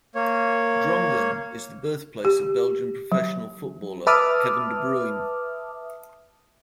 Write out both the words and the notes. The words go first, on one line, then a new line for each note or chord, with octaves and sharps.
Drongen is the birthplace of Belgian professional footballer Kevin De Bruyne.
A#3 C#5
G4
F#3
B4 E5 A5 D6 D#6 F6